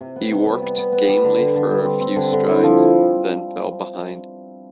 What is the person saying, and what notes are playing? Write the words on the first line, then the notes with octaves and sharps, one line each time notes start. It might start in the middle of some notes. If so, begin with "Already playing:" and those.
He worked gamely for a few strides, then fell behind.
C3
B3
C3
G3
B3
B3
B3
G3
D3
D3
D3
G3
C4
C4
D3
D3
E4
F3